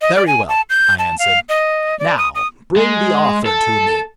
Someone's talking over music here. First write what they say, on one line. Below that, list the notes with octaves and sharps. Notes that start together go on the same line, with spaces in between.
"Very well," I answered; "now bring the author to me."
D#5
D5
G#5
A5
G6
A5
F5
D#5
D5
D#6
D#6
G#3
A4